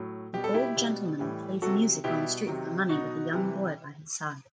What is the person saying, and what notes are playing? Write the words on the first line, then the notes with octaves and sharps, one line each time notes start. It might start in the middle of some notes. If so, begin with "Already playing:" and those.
An old gentleman plays music on the street for money with a young boy by his side.
Already playing: A2 F#3
B2 G3 G4
A4
E4 G4
B2 G3
A2 E3 G3
C3 F#3 F#4 A4
B2 G3 E4 G4
C3 D#3 F#3
B2 F#3 D#4 F#4
C3 E3 G3